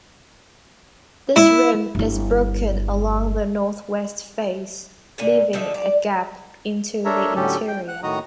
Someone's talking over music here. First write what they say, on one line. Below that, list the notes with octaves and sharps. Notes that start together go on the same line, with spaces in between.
This rim is broken along the northwest face, leaving a gap into the interior.
E4
G1 E4
A#2 D3 G#5
D3 F3 D#4 E5
D5
D4 A4 A#4 C#5 E5 A#5
A2 D3 F#3 C#4 G4 A4
G5
F#5 F#6
A2 D#3 F#4 D#5 A#5 D#6